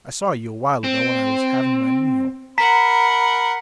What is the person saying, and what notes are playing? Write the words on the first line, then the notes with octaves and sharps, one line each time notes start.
"I saw you a while ago, when I was having my meal."
C4
A#4 F#5 A#5 B5 B6